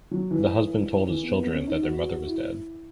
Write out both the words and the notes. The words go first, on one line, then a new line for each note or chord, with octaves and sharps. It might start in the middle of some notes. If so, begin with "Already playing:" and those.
The husband told his children that their mother was dead.
F#3
E3
E3
B3
B3
C#4
D#4
F#4
F#4
F#4
E4